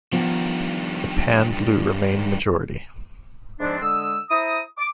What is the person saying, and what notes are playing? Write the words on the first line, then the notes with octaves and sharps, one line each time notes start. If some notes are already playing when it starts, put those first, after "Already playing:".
The pan-blue remained majority.
G2 D#3 F3 B3
G#2 F3 B3 C4 D4
D3 G#3 D#6 E6
E4 C5 A#5 D#6
D6